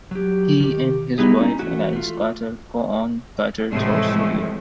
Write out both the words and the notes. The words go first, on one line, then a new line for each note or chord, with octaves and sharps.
He and his wife Alice Carter co-own Carter Thor Studio.
F#3 G4
D#3 G4
G3 B3 D#4 E4 G4 G#4
C#4 D#4
E3 A3 F#4
A3 F4
A2 C3 E3 F3 G#3 A3